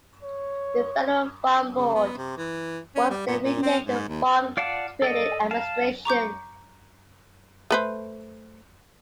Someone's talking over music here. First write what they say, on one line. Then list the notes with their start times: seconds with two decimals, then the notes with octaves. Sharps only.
The Federal Farm Board was then renamed the Farm Credit Administration.
0.23 C#5
1.75 C#3
1.95 B3
2.18 C3
2.38 E3
2.95 C#4
3.10 G3
3.27 A#2
3.42 A#2
3.62 C4
3.85 G#2
4.08 D#2
4.57 F4 D5 F5 F#5 A5
5.02 A4 D5 D#5
5.51 F5 A5
6.05 A#5 C#6 D6 G6
7.71 A3 B4 C5